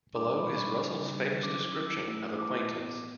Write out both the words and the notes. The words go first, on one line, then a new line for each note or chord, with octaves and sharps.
Below is Russell's famous description of acquaintance.
B2 G3 D4 D6
B5
B2 G3 D4 C#6
C#3 G3 D4
C#3 G3 D4
F#3 C#4 E4 D6
F#3 C#4 E4 E6
E3 A3 E4
E3 A3 E4 D6
A2 E3 B3